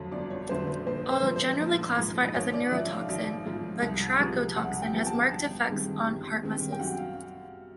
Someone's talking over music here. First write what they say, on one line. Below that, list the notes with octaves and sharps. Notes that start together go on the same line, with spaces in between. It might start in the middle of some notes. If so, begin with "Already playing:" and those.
Although generally classified as a neurotoxin, batrachotoxin has marked effects on heart muscles.
Already playing: G1 F2 D3 F#3 A3
G1 D5
C#5
F2 D3 F#3 A3 C5
B4
A#1 C5
C5
G#2 F3 B4
C5
A#1
G#2 F3
G#1 C#5
D5
G#2 F3 E5
F5
G#1
G#2 F3
C2
C3 F3 G#3 B3
C2 F#5
G5
C3 F3 G#3 B3
A5
G1
G2 D#3 G#3 C4
G1
G2 D#3 G#3 C4
G5
F#2 F#5
F5